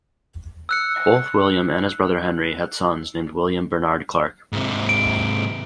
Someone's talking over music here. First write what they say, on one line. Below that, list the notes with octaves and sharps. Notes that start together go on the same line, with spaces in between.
Both William and his brother Henry had sons named William Barnard Clarke.
E6 F#6 C#7
G#2 C3
D7